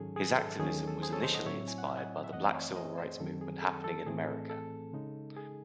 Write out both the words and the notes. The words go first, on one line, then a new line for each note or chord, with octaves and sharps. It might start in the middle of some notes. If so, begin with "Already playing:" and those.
His activism was initially inspired by the Black civil rights movement happening in America.
Already playing: G#2 D#3 F#3 C#4 G#4 A4
G#4
A4
D#2 D#3 F#3 A3 C#4 G#4
A4
A4
G#4 C5
A4 C#5
C5 D#5
D#5 F#5
A2 F#3 C4 E4 C#5 E5
G#5
F#5
E5
D#5 F#5
E5
F#2 E3 A3 C4 D#5 F#5
C#5 E5
C5 D#5
G#4 C5
F#2 D#3 F#3 C4 A4
G#4
A4
A4
A2 E3 A3 C4 G#4
A4
A4
C#3 G#3 D#4
G#4